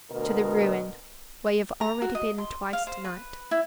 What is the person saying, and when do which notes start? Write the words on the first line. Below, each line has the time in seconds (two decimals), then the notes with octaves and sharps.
"To the ruin, where you have already been twice to-night."
0.10 D2 B2 A#4
1.81 A#5
2.02 F#4
2.15 D#5
2.38 C6
2.73 F5
2.87 C5
3.05 B4
3.51 E4